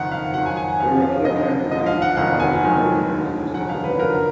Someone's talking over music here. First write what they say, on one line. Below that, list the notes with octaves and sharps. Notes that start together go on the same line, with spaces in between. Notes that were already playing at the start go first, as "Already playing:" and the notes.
There were other casualties from other supporting units listed below.
Already playing: F#1 F2 D#3 F#5
F5
F2 D#3 F#3 F#5
G#5
G#5
F#5
F2 F3 F5
F5
F1 F2 D3 F#3 D#5
D#2 D3 F3 D#5
F5
F#5
F1 F2 D#3 F#5
G#5
F1 F2 D#3 F#3
D#2 D3 F#3
F1 F2 D#3 F#3 F#5
F5
B4
F#1 F#2 D3 F3 A#4